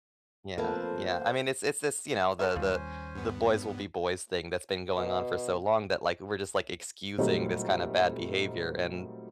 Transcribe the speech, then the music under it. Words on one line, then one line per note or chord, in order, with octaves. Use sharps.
Yeah, yeah, I mean, it's it's it's, you know, the the the boys will be boys thing that's been going on for so long that, like, we're just, like, excusing this kind of bad behavior, and
F2 A#3 A4 B4 C5
C#4 F#4 A4 C5 E5 G#5
D#2 G3 F4
G2 B3
B2
A#2 F#3 G3 A3 C4 D#4